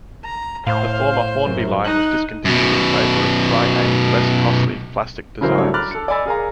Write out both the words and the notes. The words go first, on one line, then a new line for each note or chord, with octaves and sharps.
The former Hornby line was discontinued in favour of Tri-ang's less costly plastic designs.
A#5
A2 C5 F5
F#2
D#4 F#6
F#2 B2
C#3 E3 F#3 E4 A#4 C5
F#3 G3 A3 D4 A4 C#5
A#5 B5 D6 F6 F#6 A6
A4 C#7
D5 D#5 G#5 B5 E6 A6
G#4 A#4 F5 G#5 A#5